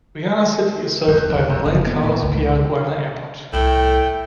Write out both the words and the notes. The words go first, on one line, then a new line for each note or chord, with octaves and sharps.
Guayana City is served by Manuel Carlos Piar Guayana Airport.
E2
D#2
F2
F#1
B3
A2
C#2
C2 A2 A3 G5